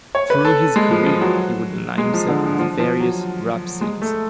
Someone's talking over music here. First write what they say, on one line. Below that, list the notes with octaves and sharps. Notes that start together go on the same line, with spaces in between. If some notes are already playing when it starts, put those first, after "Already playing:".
Through his career he would align himself with various rap scenes.
C#5
B4
A4
G#3
F3
F3
F#3
G#3
F3
D3
F3
F3
F3
F#3
G#3
A3